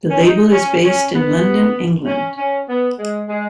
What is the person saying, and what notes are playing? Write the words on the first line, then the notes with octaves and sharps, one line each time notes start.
The label is based in London, England.
C#4
D#4
C#4
C#4
B3
C#4
C#4
B3
G#3
G#3